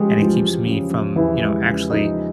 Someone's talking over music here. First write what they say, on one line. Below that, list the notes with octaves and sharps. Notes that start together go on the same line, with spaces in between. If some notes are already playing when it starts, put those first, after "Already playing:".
and it keeps me from, you know, actually
Already playing: C#3 F3 G3 G#3 G4 G#4
E2
F3 F4
G#3
C#3
F3
E2 E3 E4
G#3
C#3
F3 D#4